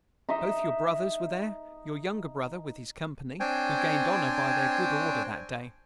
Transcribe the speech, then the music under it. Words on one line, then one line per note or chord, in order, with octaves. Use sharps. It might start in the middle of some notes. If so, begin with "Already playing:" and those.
Both your brothers were there; your younger brother with his company, who gained honor by their good order that day.
D#4 D#5 E5
C4 D4 C5 C#5 G5 G#5